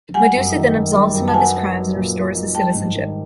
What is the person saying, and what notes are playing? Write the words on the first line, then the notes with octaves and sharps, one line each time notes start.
Medusa then absolves him of his crimes and restores his citizenship.
G3 F#5 G#5
F#2
D#3
F#2
G3
F#2
A5
B3 F#5 G#5
D#4
F#3
A#2
B3
D#4
G3 G5 A5
G#2
D#3